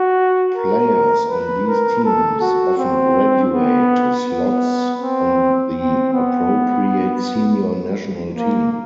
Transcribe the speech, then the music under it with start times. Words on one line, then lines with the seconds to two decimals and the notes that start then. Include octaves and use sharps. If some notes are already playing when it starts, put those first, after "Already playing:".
Players on these teams often "graduate" to slots on the appropriate senior national team.
Already playing: F#4
0.56 A#4
1.30 B4
1.67 A#4
2.05 A4
2.41 F#4
2.78 C4
3.52 B3
4.28 B3
5.02 C4
5.76 C4
6.13 B3
8.36 A#3